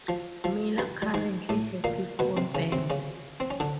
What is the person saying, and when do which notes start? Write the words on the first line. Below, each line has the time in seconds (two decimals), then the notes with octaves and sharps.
Miller currently has his own band.
0.08 F3
0.44 F3
0.78 G2 G3
1.02 G3
1.14 G#2 G#3
1.49 A2 A3
1.84 A#2 A#3
2.19 B2 B3
2.37 C3 C4
2.55 C#3 C#4
2.72 C3 C4
2.90 C#3 C#4
3.40 C4
3.50 C#4
3.60 D3 D4